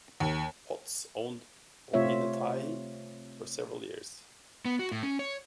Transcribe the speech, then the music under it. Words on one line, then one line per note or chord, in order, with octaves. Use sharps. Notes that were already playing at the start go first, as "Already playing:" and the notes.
Potts owned Ohinetahi for several years.
D#2
C3 A3 C4 F4 C#5 E5
B3
F#4
A2
C#4
C#5